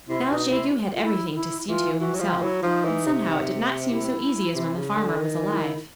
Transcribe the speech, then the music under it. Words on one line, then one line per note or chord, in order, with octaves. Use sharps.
Now Jegu had everything to see to himself, and somehow it did not seem so easy as when the farmer was alive.
C3 E4
B2 D#4
C3 E4
F4
E4
E4
E3 F4
E3 F#4
F#3
F3 F4
F#3 E4
F3 D#4
E3
C3
E4
C3
C#3
D3
D#3
E4